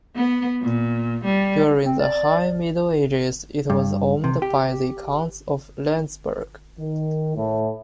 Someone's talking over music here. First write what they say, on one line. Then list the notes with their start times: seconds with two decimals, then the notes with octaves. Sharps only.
During the High Middle Ages it was owned by the Counts of Lenzburg.
0.15 B3
0.62 A#2
1.25 G3
1.85 C4
2.00 D5
3.70 G2
4.24 C3
4.42 G4
6.78 D#3
7.35 A2